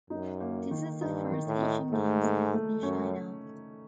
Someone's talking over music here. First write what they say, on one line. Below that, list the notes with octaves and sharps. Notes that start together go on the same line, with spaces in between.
This is the first Asian Games held in China.
F#2 D#4
A#3
D#3
G2 D#4
D#3
A2
D#4
G#2 A3
A3
A3
F#2 C#4